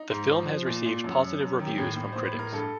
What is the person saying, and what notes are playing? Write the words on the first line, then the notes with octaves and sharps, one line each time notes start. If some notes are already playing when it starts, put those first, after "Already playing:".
The film has received positive reviews from critics.
Already playing: D#4
G#2
F3
F3
A#2
A#2
F#2
F#2
F#2
D#3
G4
A2 G#4
A2
A2 C5
B4
A2
A#4
G2 A4